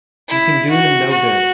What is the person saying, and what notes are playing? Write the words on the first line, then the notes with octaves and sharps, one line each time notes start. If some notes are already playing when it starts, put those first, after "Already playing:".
You can do him no good.
E4
F#4
F#4